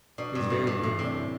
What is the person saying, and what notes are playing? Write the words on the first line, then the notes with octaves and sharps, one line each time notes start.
He was very beautiful.
B2 D4
G2
G3
A2
A4
G2
A2 E3
C3
D4